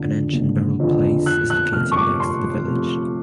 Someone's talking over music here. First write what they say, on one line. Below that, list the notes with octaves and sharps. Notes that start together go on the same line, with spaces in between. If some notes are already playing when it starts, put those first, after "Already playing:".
An ancient burial place is located next to the village.
Already playing: F#1 F2 D3
F#1
F2 D3
F2 F#6
F#6
C3 F3 A3 F6
C#6
D6
F2 C6
C3 F3 A3